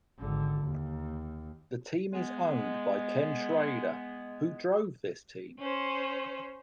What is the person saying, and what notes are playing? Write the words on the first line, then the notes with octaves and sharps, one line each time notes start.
The team is owned by Ken Schrader, who drove this team.
G#1 D3
D#2
G#3 B3
C#4 C5